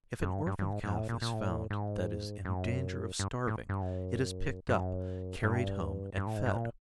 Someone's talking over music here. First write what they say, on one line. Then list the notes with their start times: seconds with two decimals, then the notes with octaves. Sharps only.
If an orphan calf is found that is in danger of starving it is picked up, carried home and fed.
0.22 F#2
0.34 G2
0.46 G2
0.59 G2
0.71 G#2
0.83 G#2
0.97 A2
1.09 A#2
1.22 A#2
1.34 A2
1.70 G#2
2.45 F#2
3.19 G2
3.48 A2
3.69 G2
3.82 F#2
4.69 F#2
5.43 G2
6.17 G2
6.27 A2
6.36 G#2
6.46 G2
6.56 A#2